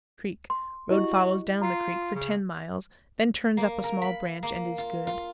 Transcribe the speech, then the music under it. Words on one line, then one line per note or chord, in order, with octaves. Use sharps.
Creek.--Road follows down the creek for ten miles, then turns up a small branch, and is good.
C6
E4 F#4 G4 D#5
F4 A#5 C7
C#3
A#3
A#4
B5
A#3
F4
F4